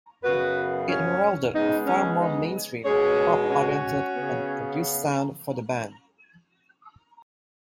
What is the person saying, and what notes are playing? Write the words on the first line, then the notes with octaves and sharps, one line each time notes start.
It heralded a far more mainstream, pop-oriented and produced sound for the band.
F#2 C#3 B3 F#4 B4
C#4
C#3 G#3 B3 D#4
C#4
D#4
B2 G#3 C#4 G#4 C#5
D#4
C#4 F#4
C#3 B3